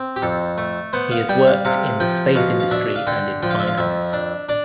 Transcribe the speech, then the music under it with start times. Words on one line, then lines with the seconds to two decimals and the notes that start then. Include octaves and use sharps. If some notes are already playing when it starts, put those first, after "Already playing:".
He has worked in the space industry and in finance.
Already playing: C4
0.16 G4
0.22 F2 A4
0.58 A3
0.93 B3 C5
1.11 F5
1.29 G3 G5
1.47 F5
1.65 C3 F5
2.00 F3 G5
2.35 B2 F5
2.60 F5
2.71 D4 E5
2.96 F5
3.07 D3 G5
3.43 F3 G5
3.51 F5
3.60 E5
3.67 F5
3.78 F2 E5
4.13 D4
4.49 D4 D5